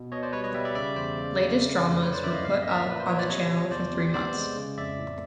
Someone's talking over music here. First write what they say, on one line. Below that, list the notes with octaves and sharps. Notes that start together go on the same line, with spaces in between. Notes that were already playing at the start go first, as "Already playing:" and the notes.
Latest dramas were put up on the channel for three months.
Already playing: B2
B2 C#5 D#5
C5 D5
G3 B4 C#5
C#5 D#5
G3 D5 E5
D5 E5
C#3 D5 E5
E2 C5 D5
C#3
C#3
A3
F2
D3 B4 C#5
C5 D5
F#2 D5 E5
D#5 F5
A2 F5
E5
D#5
A#3 D5 E5
A#2 B4
C5
F3 C#5
D5
C3 C#5 D#5
F3
E2 C5 D5
C3
B3 C5 D5
G#3
C#3
F2 D5 E5
A2